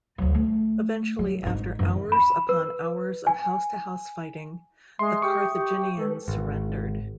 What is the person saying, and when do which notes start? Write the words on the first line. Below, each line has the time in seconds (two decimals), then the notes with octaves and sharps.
Eventually after hours upon hours of house-to-house fighting, the Carthaginians surrendered.
0.18 D2 F#3
0.35 A3
1.19 F#3
1.43 G#1 D#4
1.79 F#2 E3
2.12 B5
2.49 B4
3.27 G#5
4.99 G#3 E5 C6 D#6
5.22 G4 C#6
5.56 G4
5.97 G#3 A4 B4
6.28 G#1